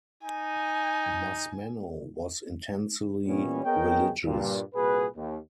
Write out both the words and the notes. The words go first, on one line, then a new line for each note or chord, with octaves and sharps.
Musmanno was intensely religious.
D#4 G#5
A#2 E3 G3 B3 C#4
B3 G#4 A#4 C#5 D#5 G5
G2 A#2
C2 A#2 F#4 G#4 B4
D#2